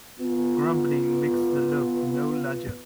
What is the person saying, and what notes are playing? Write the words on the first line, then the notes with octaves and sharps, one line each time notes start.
Grumbling makes the loaf no larger.
B3 F4